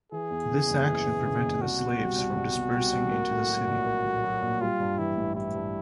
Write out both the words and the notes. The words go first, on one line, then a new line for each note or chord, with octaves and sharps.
This action prevented the slaves from dispersing into the city.
E3 G#4
E2
C#3
F#1
E3
E2
C#3
F#1
C2 F#4
B2
G3
C2
C2
B2
G3
C2
A#3
A2
F#3
A#1
A#3
A2
F#3
A#1
G3 F4
G2
E3 E4
A1
G3 E4
G2